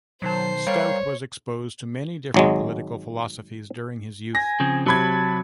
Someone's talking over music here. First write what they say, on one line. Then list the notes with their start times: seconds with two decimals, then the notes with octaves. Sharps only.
Stout was exposed to many different political philosophies during his youth.
0.22 B1 D#3 F#3 C5 A5 C7
0.67 G3 A#4 C#5 F5 G5
2.34 G#1 F#3 G#3
4.35 G#5 A#6
4.60 C#3 F3 C4
4.86 C3 F#3 A5 B5 G#6